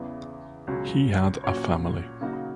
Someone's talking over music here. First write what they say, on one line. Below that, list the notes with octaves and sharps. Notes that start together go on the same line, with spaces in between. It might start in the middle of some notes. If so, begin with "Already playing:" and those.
He had a family.
Already playing: E2 C#3 E3 B3
C#2 B2 F#3 C#4
A#2 F#3 C#4 F#4 C#5
C#3 F#3 A#3 D#4 F#4